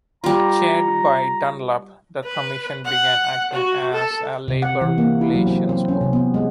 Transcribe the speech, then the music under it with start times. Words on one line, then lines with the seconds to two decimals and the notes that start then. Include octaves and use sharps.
Chaired by Dunlop, the commission began acting as a labor relations board.
0.24 G3 F4 A#5
2.24 B4
2.85 F#5
3.53 F#4
3.93 A4
4.48 C3
4.62 F#5
4.81 E3
4.98 A#3
5.21 E4
5.35 F#3
5.47 C4
5.69 C4
5.88 C#4
6.01 C3
6.13 B3
6.34 G#3